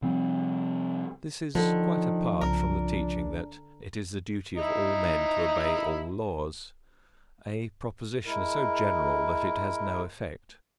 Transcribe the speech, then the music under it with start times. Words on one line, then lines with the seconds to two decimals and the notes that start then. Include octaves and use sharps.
This is quite apart from the teaching that it is the duty of all men to obey all laws, a proposition so general that it has no effect.
0.02 C3 F3 G3 C4
1.55 D3 D#3 F3
2.41 C2 C#3 D4 A#4
4.57 D#4 E4
8.26 G#3 E4 A#4